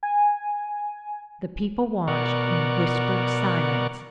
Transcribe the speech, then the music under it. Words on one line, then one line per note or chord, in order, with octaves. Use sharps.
The people watched in whispered silence.
G#5
B2 A#4 D5 F#5 C#6